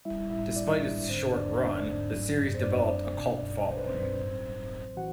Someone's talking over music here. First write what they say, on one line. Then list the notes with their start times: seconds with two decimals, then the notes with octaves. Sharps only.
Despite its short run, the series developed a cult following.
0.05 G3 E4 E5
0.30 A2 E4 E5
0.56 A2 D4 D5
0.83 D4
1.08 D3 C4 C5
1.34 E2 D4 D5
1.60 D4 D5
1.86 A3
2.12 F#3
2.38 F#2
2.55 C5
2.63 F#2 D4 D5
2.90 C4
3.16 B2
3.42 B1
3.68 B1 C5
3.77 B4
3.87 C4 C5
3.94 F#3
4.19 A2
4.45 A1
4.71 A1
4.97 E3 F#4 F#5